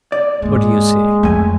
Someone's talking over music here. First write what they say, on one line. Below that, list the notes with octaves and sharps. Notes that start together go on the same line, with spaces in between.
What do you say?
D5
G#2 G#3 A#3
F2 A3 G#5